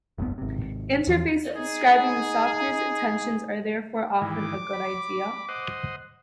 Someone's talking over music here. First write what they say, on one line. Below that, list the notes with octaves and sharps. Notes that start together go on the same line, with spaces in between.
Interfaces describing the software’s intentions are therefore often a good idea.
F1 C2 G2 B3
G#1 C3
E2 E3 F3
D#4 G#4
G#2 D#3 E3 D6
B5
C5 D#5 F#5